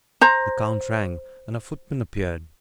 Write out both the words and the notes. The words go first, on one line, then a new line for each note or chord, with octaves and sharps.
The count rang, and a footman appeared.
C5 A#5